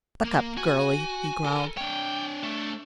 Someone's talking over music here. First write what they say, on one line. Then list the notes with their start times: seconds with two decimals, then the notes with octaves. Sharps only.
"Buck up, girlie!" he growled.
0.24 A#3
0.57 F#4 G#5
1.45 A4 A#4
1.77 D4 C#5 G5
2.43 A3